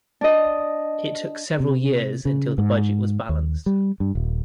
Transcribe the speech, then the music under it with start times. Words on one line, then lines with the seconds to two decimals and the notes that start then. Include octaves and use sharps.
It took several years until the budget was balanced.
0.21 D4 D#5
1.60 C3
2.25 C#3
2.58 G#2
3.29 D#2
3.66 G3
4.00 G2
4.15 D#1